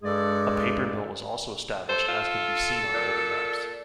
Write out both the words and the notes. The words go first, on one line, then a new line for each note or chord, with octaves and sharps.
A paper mill was also established as can be seen on older maps.
G2 G#3 G#4 A4 D5
A4 C5
F4
A#2